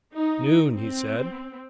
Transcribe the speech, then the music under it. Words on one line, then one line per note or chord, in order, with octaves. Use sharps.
"Noon," he said.
D#4
C4